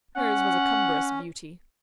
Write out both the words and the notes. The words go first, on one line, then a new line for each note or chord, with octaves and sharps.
Hers was a cumbrous beauty.
C#4 F#5